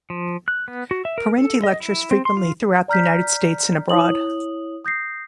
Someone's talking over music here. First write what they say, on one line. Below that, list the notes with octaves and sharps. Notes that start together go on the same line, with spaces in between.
Parenti lectures frequently throughout the United States and abroad.
F3
F#6
B3
F#4
E5
A#4
A4
D#5
E4
C4
C6
F4
D5 A#5 F6 G6 B6
E4 C#5 D#6 F#7
D#6 G6 A#6 C7